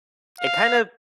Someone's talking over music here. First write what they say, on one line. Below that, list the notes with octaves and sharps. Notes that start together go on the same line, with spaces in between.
It kinda
F5